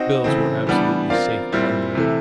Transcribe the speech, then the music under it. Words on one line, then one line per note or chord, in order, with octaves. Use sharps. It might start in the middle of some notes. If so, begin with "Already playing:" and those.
Bills were absolutely safe plunder.
Already playing: C4 D#4 F#4
C#3 E3 A3 C4
E3 G3 B3 D4
C4 F4 A#4 D5 F5
A#2 G3 C4 E4
C3 E3 A3